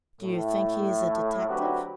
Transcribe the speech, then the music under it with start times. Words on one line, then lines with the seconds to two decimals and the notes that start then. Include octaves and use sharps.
"Do you think he is a detective?"
0.21 A2
1.49 D2 F#3 C4 F#4 G4 B4